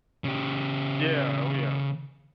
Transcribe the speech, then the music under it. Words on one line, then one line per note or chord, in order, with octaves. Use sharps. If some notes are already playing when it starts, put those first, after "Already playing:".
Yeah, oh, yeah.
C#3 G4